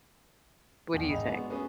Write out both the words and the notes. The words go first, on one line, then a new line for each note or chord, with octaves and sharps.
What do you think?
D1 E2 D4 G5
G#1 D#4 G#4 B5 F7
G#3 B3 D4 F#4
A3 B3 C#4 F#4 G#4 B4